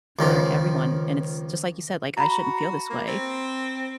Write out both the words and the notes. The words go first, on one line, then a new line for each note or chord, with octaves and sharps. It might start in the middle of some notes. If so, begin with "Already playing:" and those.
for everyone, and it's just like you said, like, I shouldn't feel this way,
C#2 D#3 F3
F#4 A#5 B5
A#3
C4